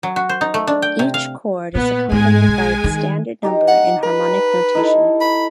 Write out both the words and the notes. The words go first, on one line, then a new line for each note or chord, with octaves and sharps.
Each chord is accompanied by its standard number in harmonic notation.
F#3
F#4
C5
D#4
A3
D4
G5
C3
F5
A#2 B3
G#2 G#3 G#5
B1
D#3
D#4 G4 A#4
F#5
A#4 B4
D#4 E4 A4
B5